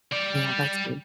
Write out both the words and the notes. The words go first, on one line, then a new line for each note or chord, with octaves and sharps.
Yeah, that's good.
G3 D5